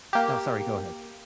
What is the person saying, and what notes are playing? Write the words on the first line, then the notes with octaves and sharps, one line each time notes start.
No, sorry; go ahead.
A#3 G4